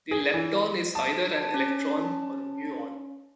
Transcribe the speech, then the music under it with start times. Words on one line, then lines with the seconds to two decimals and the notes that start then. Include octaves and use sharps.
The lepton is either an electron or a muon.
0.11 G#4
0.34 E3
0.95 A5
1.54 C#4